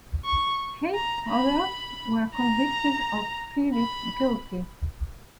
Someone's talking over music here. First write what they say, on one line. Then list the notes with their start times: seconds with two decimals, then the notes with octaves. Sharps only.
Eight others were convicted or pleaded guilty.
0.25 C#6
0.94 A#5
1.29 B5
2.35 A#5
3.75 B5